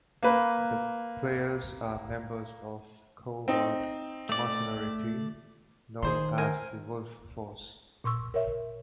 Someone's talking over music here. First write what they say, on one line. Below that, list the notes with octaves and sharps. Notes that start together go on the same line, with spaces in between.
The players are members of a covert mercenary team known as the "Wolf Force".
A#3 B4
C4 D#4
A3 D5
D#3 G#4 C5 C6
A#4 C5 G#5
A#2 C6 C#6 E6
A#4 C#5 E5